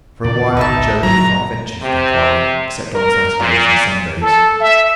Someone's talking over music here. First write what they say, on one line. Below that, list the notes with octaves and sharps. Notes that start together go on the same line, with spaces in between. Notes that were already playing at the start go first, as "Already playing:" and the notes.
For a while Joe did not venture to the quarry except on Saturdays and Sundays.
D#2 A#2 C#3 D5
G#1 C#2 D#4 B4 E5 A5
G1 F#3 A#5
C3
A#4
A#2
A4
E5